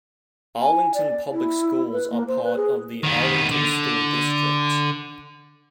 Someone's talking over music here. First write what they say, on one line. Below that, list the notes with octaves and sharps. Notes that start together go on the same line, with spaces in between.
Arlington Public Schools are part of the Arlington School District.
G#5
D5
E4
B4
A#3
C5
B4
G#4
D#3 B3
D3